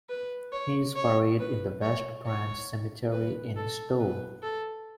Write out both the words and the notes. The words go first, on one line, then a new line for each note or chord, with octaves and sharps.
He is buried in the West Branch Cemetery in Stowe.
B4
C#5
C#5
B4
C#5
C#5
B4
A4
B4
A4